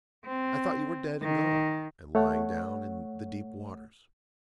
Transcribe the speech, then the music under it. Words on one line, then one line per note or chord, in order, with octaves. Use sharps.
'I thought you were dead and gone, and lying down in the deep waters.
C4
D#3
A3 C#5 F#5